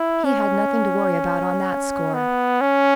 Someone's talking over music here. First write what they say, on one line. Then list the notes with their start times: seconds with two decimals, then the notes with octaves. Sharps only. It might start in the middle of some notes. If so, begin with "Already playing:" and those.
He had nothing to worry about on that score.
Already playing: E4
0.25 C#4
2.14 B3
2.61 C#4